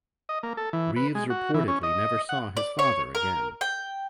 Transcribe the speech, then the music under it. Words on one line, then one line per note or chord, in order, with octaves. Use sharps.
Reeves reportedly never saw his father again.
D#5
A#3
A4
E3
B4
G#3
F#4
E3
C#4
D#5
F#5
D5
C#5
A#4
G5